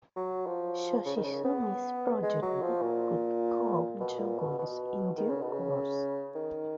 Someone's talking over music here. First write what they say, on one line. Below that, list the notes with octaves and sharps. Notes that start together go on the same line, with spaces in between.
Yoshizumi's progeny would become shoguns in due course.
F#3
F3
C#3
D#3
C#3
B3
G#3
F#3
F3
A#2
B2
A#2
B2
B2
D#3
C#3
B2
C#3
D#3